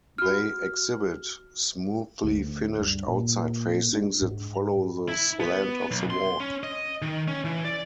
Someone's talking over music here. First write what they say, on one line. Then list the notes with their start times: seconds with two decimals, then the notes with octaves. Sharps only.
They exhibit smoothly finished outside facings that follow the slant of the wall.
0.18 F#4 F6
2.24 D2
2.80 G2
3.07 A#2
3.93 D4
4.22 G#2
5.08 E4
5.40 B3
5.91 B1
6.10 C6
6.40 C#4
6.63 D#5
7.02 D#3
7.28 C#4
7.45 E3
7.65 D5